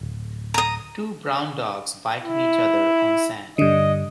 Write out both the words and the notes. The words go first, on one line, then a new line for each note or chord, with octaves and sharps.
Two brown dogs biting each other on sand.
D1
A#5 D#6
E4
G2 D3 D#5